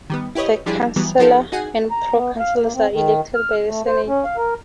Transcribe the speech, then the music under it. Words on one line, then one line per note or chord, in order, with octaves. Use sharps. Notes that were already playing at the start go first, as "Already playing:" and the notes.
The Chancellor and pro-Chancellors are elected by the Senate.
D#3 G3 B3
E4 G4 B4 C#5 D#5
F3 G3 D4 E4 G4 G#4
E3 F#3 G3 B3
F3 D#4 F4 G4 A4 A#4
D#4 F#4 G#4 F#5 G#5
A#5
B3
F5
A#3
C4
D#3
F6
A3
C5
C#4
F5
A#4